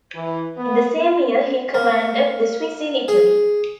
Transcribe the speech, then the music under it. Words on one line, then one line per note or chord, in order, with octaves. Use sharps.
In the same year he commanded the Swiss in Italy.
E3
B3
A#3
G#4